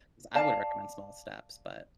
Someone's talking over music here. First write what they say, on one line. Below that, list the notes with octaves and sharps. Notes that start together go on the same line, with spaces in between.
'Cause I would recommend small steps, but
D5 F5 A5